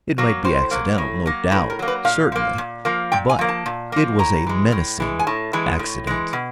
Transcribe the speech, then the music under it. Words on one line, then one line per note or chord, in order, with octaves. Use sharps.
It might be accidental, no doubt, certainly, but it was a menacing accident.
F#3 A#3
A2 C5
F#3 A#3
A2
F#3 A#3
A2 B4
A#4
F#3 A#3
B4
A#2 F5
F3 A#3
A#2
F3 A#3
A#2 G5
G#5
F3 A#3
A5
A#2
F3 A#3
A2 A#5
E3 G#3
A2
E3 G#3
G#5
A2 A5
E3 G#3
A2
E3 G#3
B2